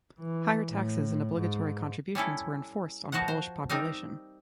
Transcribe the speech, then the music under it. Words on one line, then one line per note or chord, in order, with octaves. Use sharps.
Higher taxes and obligatory contributions were enforced on Polish population.
E3
A2
G#2
G3 C#4 E4 A4
B2 F3 F#4 A#4 C5 F#5
C5
G3 C4 D#4 A#4 F5